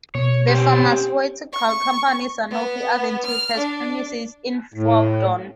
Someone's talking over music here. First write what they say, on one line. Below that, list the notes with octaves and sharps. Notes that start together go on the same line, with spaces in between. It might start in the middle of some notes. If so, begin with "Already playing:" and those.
The pharmaceutical company Sanofi-Aventis has premises in Fawdon.
B2 C#5
C4 C#4 G4 C5
C#6
B3
F6
D4
A2